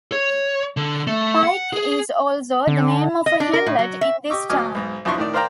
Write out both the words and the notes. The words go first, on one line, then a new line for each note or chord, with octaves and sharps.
Pike is also the name of a hamlet in this town.
C#5
D3
A3
F#5
G#4
D3
D#5
D4
A#4
A2
F#3
E5
G4 D#5 C#6 D6 E6
D2 F#3 D#5 G#5 D6 F6
B1 G#2
B1 F2 D4 E4 C6 C#6
A2 D#3 D5
A#4 C5 D5 F5 G5 A#5